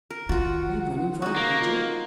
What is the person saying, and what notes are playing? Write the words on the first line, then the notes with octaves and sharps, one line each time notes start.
"Are you running for a wager?"
A#4
D#3 F4 F#4 F#5
D#4 F#4
A#3 F5
F4